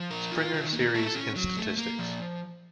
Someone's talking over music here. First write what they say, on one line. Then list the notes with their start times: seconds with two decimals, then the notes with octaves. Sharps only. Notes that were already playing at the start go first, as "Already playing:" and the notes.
Springer Series in Statistics.
Already playing: F3
0.11 A#4
0.32 F4
0.53 D#3
0.73 A#3
0.94 A4
1.15 C#4
1.36 F#3
1.57 A3
1.78 A#3
1.99 F3